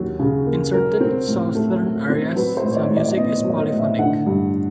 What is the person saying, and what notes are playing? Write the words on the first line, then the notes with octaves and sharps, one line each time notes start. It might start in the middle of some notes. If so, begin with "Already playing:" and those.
In certain southern areas, some music is polyphonic.
Already playing: D#2 F#3 A#3
C#3
A#3
F#3 A#4
C4
A2
A3
F#3
C4
F#3 B4
C5
A2
C#5
D5
A2
D5
D5
B3 D#5
C#5
F#3
D5
D#5
A2
E5
D3 F#5
G2